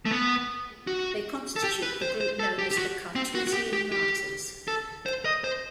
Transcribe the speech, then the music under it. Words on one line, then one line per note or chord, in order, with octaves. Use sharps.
They constitute the group known as the Carthusian Martyrs.
A3
B3
F#4
A4
G4
B4
C5
C5
A4
G4
G4
F#4
C4
F#4
F#4
G4
G4
G4
A4
C5
D#5
C5